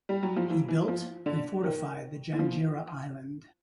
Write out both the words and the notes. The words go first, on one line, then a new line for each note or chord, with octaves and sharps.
He built and fortified the Janjira Island.
G3
F#3
F3
E3
E3
F3
D3
D#3
E3
F3